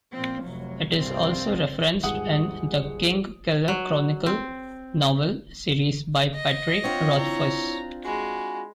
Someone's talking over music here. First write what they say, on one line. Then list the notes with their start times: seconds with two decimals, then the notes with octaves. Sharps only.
It is also referenced in "The Kingkiller Chronicle" novel series by Patrick Rothfuss.
0.13 A#2 F3 C4
0.45 F1 F#3
0.99 C2 G2 C4 F4
2.03 D#1 G#2 G#4 F#5 D#6 F#7
3.68 F#3
4.26 C4
6.35 D#5
6.84 C4 D4 F4 C#5 F#5
7.18 E4 A#5
8.05 G#3 F#4 G#5 B5